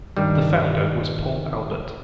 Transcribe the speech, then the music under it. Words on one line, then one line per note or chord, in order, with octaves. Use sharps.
The founder was Paul Albert.
G2 D#3 G3